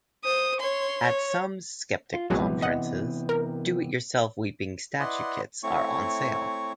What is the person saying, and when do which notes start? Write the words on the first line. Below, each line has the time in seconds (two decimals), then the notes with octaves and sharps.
At some skeptic conferences, "do it yourself weeping statue kits" are on sale.
0.24 C5 D#6
0.60 C#5 C6
1.03 C#5
2.14 F4
2.30 A#1 C3 E3 F#3 G#3 B3
2.62 D#5 F#5
3.29 A#4
4.99 E4 B4 D5 D#5 F#5 C6
5.63 A3 C4 E4 C#5 C#6